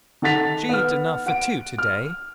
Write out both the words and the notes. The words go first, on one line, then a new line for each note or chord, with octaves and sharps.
She eat enough for two to-day.
D#3 A4 F#5 A6 B6 F7
B3 F6
F#5 D7
F6